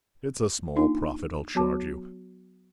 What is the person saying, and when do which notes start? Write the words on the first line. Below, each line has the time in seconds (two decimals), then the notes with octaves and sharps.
It's a small profit I'll charge you.
0.76 A#3 D4 D#4 F4
1.55 F#3 B3 F#4 C#5 A5 D6